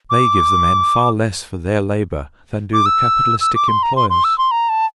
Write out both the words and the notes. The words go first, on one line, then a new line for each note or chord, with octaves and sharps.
They give the men far less for their labour than do the capitalistic employers.
D6
D6
E6
E6
D6
C6
A#5
C6
C6
E6
C6
A#5
A5